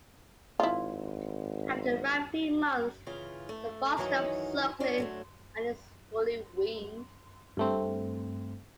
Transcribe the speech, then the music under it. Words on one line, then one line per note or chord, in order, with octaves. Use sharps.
After around three months, the fawn stops suckling and is fully weaned.
G#1 E4 F4
C#3 E3 F4
A3
F#2 D#3 E3 F#3 C#4 D#4
C#4 D4 F4
F#3 G#3 A3
G2 A3 C4